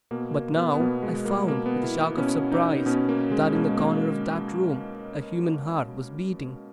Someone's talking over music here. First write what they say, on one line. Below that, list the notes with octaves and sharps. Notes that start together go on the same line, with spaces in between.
But now I found, with a shock of surprise, that in the corner of that room a human heart was beating.
B2 A#3
A#3
B3
B3
B2 A#3
G#3
A#3
B2 A#3
B3
E4
B2 C#4
D#4
B2 C#4
A#3
G#3
B2 A#3
G#3
A#3